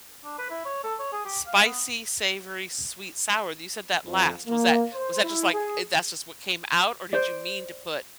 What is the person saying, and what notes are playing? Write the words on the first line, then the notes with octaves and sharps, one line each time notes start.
"Spicy, savory, sweet, sour," you said that last, was that was that just, like, eh, "That's just what came out," or did you mean to put
D4
B4
E4
C#5
A4
C#5
G#4
G4
F5
B3
F2
A#3
C5
E4
G#4
C5 D5